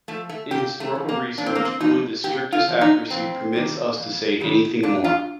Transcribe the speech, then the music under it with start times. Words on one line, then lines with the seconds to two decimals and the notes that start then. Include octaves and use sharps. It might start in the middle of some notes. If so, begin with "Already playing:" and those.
In historical research, only the strictest accuracy permits us to say anything more.
0.08 F3 A3
0.29 A3
0.51 A#2 G4
0.80 A3
0.95 F3
1.09 A#3
1.38 A#2 D4
1.46 C4
1.55 A#3
1.65 C4
1.81 F3 D#4
2.24 A#2 G4
2.52 F4
2.68 F3
2.81 D#4
3.10 F2 C4
3.53 C3 D#3 G3
3.97 F2
4.40 C3 D#3 G3
4.83 A#2 D4
5.04 F4